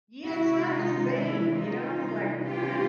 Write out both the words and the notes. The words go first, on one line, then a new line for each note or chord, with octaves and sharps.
Yeah, it's not the same, you know. I was like, "Uh,"
C3 D#3 G#3 C#4 E4 F#4
D#4 F4
D4 E4
D#4 F4
C3 E3 G3 B3 D4
F4 G4